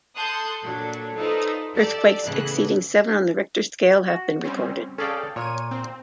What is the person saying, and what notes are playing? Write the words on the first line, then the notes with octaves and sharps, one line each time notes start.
Earthquakes exceeding seven on the Richter scale have been recorded.
A4 A5 C6 D#6 F#6 G6
A#2 F#3 D4 A4
D#4 F4 A4 B4 C5 D5
G4 A4 D5
A2 C#3 E3 B3 F#6
F#4
G3 C4 C#4
C#4 G#4 A4 D5 F5 G5
A#2 C#5 D#7
C4